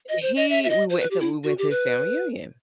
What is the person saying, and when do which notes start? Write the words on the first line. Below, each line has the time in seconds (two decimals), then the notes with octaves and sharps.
he we went to we went to his family reunion.
0.09 D#5
0.22 C5
0.37 D#5
0.50 E5
0.64 E5
0.70 D#5
0.90 C5
1.00 B4
1.11 G4
1.21 E4
1.44 F#4
1.58 G4
1.71 B4